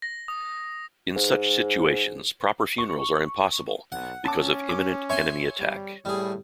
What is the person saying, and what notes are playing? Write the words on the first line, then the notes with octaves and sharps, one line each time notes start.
In such situations, proper funerals are impossible because of imminent enemy attack.
A#6
D#6
G#2
C#6
B1 F#5
C#4 A5 D6
D6
C#5 E5 G#5 C6
G3
A2 G3 G#4